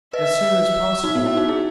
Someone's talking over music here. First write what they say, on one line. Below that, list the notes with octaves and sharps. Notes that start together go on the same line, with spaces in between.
"As soon as possible."
B4 D#5 E5
D#4 F#4
B3 D#4
C#4 E4
D#4 F#4
E4 G#4